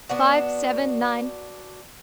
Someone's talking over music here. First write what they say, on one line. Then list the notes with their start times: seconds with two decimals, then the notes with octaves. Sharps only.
Five, seven, nine.
0.09 B3 D4 F#4